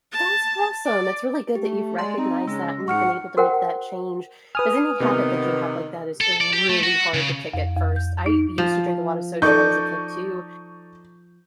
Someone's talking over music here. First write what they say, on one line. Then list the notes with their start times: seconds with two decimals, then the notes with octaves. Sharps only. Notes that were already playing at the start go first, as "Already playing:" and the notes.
That's awesome. It's really good that you've recognized that and you've been able to make that change, as any habit that you have like that is, uh, really hard to kick at first. I used to drink a lot of soda when I was a kid too,
0.12 A5
0.85 D5
1.55 A3 G4
1.99 G#3 D5 C6
2.18 C4 D#4
2.47 C#3 G#3 E6 A#6
2.88 G#2 F#5 C#6 F6 C#7
3.37 F#4 A#4 C5 F#5 G5
4.55 B4 G#5 D#6 F6
5.00 C3 D#3 B3
6.21 A4
6.41 D5
6.53 G4
6.69 A3
6.83 F#4
7.14 C#3
7.53 F2
7.76 F2
7.96 G6
8.26 D#4
8.58 F3
9.42 D#4 A4 D5 C#6 G6